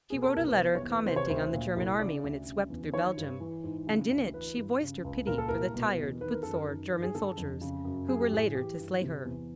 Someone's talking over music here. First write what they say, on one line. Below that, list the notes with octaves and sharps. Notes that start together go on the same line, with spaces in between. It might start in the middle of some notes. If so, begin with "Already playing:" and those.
She wrote a letter commenting on the German army when it swept through Belgium--and in it she voiced her pity for the tired, footsore German soldiers,--who were later to slay her.
B2 G#4
A4
C2 A#4
B4
B2 C5
C#5
E2
B4
C3 C5
C#5
D2 C5
A#2
C2
C#3 D5
D2
C#3
E2
D#3 C#5
G2
E3
G#2
C#3
D2
E3 B4
G2
C#3
C#2
A#2 A#4
A4
C2 A#4
B2
E2
D#3 B4
A#4
F#2 A4
A#4
D#3
G2
G#4
D3 A4
F2
C#3
F#2
F#3 G#4
G4
A2 G#4
E3 G4
G2
C3
E2